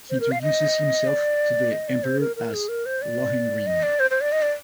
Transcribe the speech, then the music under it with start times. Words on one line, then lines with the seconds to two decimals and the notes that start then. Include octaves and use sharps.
He introduces himself to the emperor as Lohengrin.
0.10 C5
0.20 A#4
0.32 F5
0.42 D#5
1.07 D5
1.72 D#5
1.88 D5
2.04 C5
2.20 A#4
2.36 A#4
2.54 G#4
2.69 A#4
2.86 C5
3.02 D5
3.67 D#5
3.83 D5
4.00 C5
4.11 C5
4.21 D5
4.32 D#5
4.42 D5